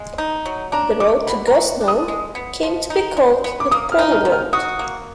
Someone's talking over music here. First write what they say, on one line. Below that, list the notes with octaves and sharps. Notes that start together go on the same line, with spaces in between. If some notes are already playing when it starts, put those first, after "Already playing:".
The road to Gosnell came to be called the Pole Road.
Already playing: G#3
D#4
F#3
D4 A#5
B2 D6
B2 B5
A#5
F#3
D4
D#6
G#3
B3
F3
D#4
G#3
B3
D6
A#3 D#6
F6
D#4
F6
D#3
F6
F#4 D#6
A#3